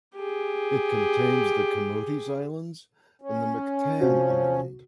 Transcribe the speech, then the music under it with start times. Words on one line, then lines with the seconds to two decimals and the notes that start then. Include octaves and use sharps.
It contains the Camotes Islands and Mactan Island.
0.15 G4 G#4
3.22 C#4
4.01 C3 F3 F#4